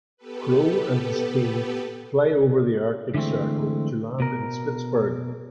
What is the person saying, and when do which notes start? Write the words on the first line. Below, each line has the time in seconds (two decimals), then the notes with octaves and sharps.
Crowe and his team fly over the Arctic Circle to land in Spitzbergen.
0.17 B3 G4 A4 B4
3.14 D3 E3 G#3 A3 C4
4.20 B2 A#4